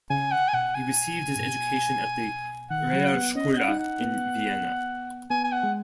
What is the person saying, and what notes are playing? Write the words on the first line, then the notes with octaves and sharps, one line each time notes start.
He received his education at the Realschule in Vienna.
C#3 G#5
F#5
G#5
B2 F#5
G#5
G#2
B2
D#3 F#5
F#3
B3
C#4 D#5
D#5
F#5
D#4
F#5
B3
B3 G#5
G#5
F#5
G#3